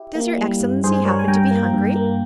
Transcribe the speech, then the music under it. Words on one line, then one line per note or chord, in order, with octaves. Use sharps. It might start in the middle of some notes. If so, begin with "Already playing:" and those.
"Does your excellency happen to be hungry?"
Already playing: E4 G4
A#3
G3
G2
G2 G#4 C5
G3 A#4 C#5
G#5
G2 G5 A#5
A#3
G2
A#3